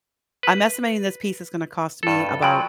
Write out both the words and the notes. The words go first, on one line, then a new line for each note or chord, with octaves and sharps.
I'm estimating this piece is gonna cost me about"
B4
G2 A4
F3 F#3 G5 B5